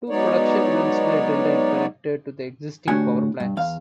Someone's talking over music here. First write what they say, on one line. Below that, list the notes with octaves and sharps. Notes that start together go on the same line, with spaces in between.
Two production wells were drilled and connected to the existing power plants.
F#3 G#3 B3 D#4 C#5 D5
D2 A2 D4 F#4 G4 G#5
G2
E2 F5